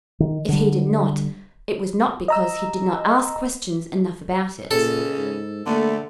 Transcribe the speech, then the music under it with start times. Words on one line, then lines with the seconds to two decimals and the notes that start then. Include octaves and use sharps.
If he did not, it was not because he did not ask questions enough about it.
0.20 D#3
0.49 D3 G3
2.28 D#5 A#5 E6
4.71 A#2 C#3 A4
5.18 G#2
5.66 D3 A3 A#3